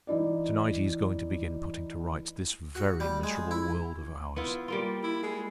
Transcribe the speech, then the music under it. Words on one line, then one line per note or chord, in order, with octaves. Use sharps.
Tonight he is going to begin putting to rights this very miserable world of ours.
E3 D#4 E4 D5
F#4
G3
G#3
E4
B3 E4 F4
G3 A#3 F4
E4
G#3